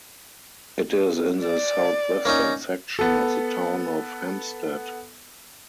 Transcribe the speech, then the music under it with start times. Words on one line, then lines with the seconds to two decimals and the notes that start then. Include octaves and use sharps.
It is in the southwestern section of the Town of Hempstead.
1.41 D5
2.25 A#3 C#4 D#4
2.99 B3 A4